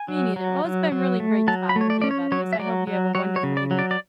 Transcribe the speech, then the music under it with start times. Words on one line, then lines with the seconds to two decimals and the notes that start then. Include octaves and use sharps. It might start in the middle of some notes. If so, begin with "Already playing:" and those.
me neither, well, it's been really great talking to you about this, I hope you have a wonderful evening.
Already playing: G#5
0.08 F#3
0.36 F#3
0.64 F#3
0.92 F#3
1.20 A3
1.48 F#3 A5
1.69 B5
1.76 A3
1.81 C#5
1.90 D5
2.02 C#4 D5
2.11 C#5
2.32 F#3 C#5
2.53 E5
2.59 F#3 D5
2.87 F#3
3.15 F#3 C#5
3.36 C#5
3.43 C#3
3.57 D5
3.71 F#3
3.79 D5
3.91 D5